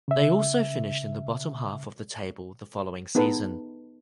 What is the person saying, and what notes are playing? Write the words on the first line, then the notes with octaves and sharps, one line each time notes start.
They also finished in the bottom half of the table the following season.
C#3 E5
B3 D#4 G#4 A4 B4